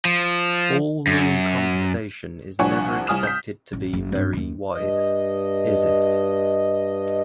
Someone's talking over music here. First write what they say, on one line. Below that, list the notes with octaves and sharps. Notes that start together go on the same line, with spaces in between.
Ball-room conversation is never expected to be very wise, is it?
F3
F#2
C2 F3 D4 F#5 G#5 C#6
C2 G#5 D#6 F6 E7
G6 B6
A1
F#1
G2 C4
D#2 D#3
G2 D#5